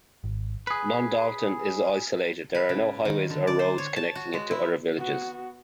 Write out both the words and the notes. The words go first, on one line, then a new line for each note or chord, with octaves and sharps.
Nondalton is isolated: there are no highways or roads connecting it to other villages.
G#1
G#4 B4
B4
C#3
D#3
D3
D5
C5
C#5
A5
F#4
G#3
E4
B3 F#4